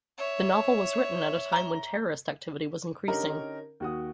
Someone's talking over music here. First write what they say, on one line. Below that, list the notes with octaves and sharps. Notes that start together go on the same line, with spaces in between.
The novel was written at a time when terrorist activity was increasing.
C#5 E5
A#5 G7
D3 C#4 D#4 G4 A#4
D#2 F#4 D#6